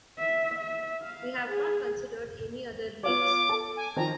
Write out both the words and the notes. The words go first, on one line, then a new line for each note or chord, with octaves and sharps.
We have not considered any other leagues.
E5
E5
F5
G#4
B3 F4 C#5 D6
A4
G#5
D#3 F3 A#5